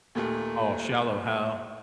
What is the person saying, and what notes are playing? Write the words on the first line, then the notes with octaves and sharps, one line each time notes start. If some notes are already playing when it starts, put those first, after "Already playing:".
Oh, Shallow Hal.
D#2 A#2 A3 A#3